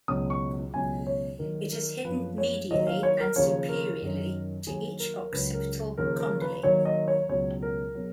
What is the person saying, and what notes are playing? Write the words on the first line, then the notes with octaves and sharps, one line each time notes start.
It is hidden medially and superiorly to each occipital condyle.
C#2 B2 F#3 D#6
C#6
C#2 B2 F#3 G#5
C#5
D#2 D#3 F#3 A#4
A#4
F#2 F3 B4
C#5
D#2 D#3 F#3 D#5
F5
C#5
A#4
D#2 C#3 F3 C#5
A#4
F#2 D#3 F#3
D#2 D#3 F#3 G#4
A#4
A#4
C#2 C#3 F#3 B4
A#4
D#2 C#3 F3 A#4
A#4
B4
D#2 D#3 F#3 C#5
D#5
C#5
C#2 B2 F#3 C#5
A#4
B2 F#3